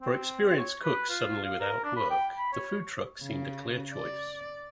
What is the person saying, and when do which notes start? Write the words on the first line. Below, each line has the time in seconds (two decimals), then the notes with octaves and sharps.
For experienced cooks suddenly without work, the food truck seemed a clear choice.
0.01 C4
0.57 C#5
0.83 B4
1.09 F4
1.44 F5
1.61 A#4
1.84 D4
1.96 B5
2.10 G5
2.37 B5
2.53 C#5
3.22 C#3
3.94 D5